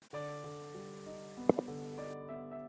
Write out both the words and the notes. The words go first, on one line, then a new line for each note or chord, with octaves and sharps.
Buildings can be destroyed if a monster directly attacks or is thrown into it.
D3 D5
D3
G3
D#4
B3
D3
D#4 D5
B3 E5
E5